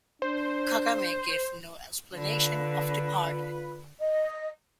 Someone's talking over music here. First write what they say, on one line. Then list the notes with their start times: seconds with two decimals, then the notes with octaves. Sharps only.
Kagame gave no explanation of the pardon.
0.22 D4 C5
2.15 D3 F4 B4
4.00 D#5